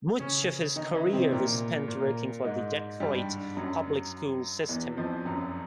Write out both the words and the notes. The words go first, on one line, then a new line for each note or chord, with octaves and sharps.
Much of his career was spent working for the Detroit public schools system.
C#3 C#4
D#3 D#4
E3 E4
C3 C4
A#2 A#3
A#2 A#3
G#2 G#3
G2 G3
F#2 F#3
E2 E3
F2 F3
F#2 F#3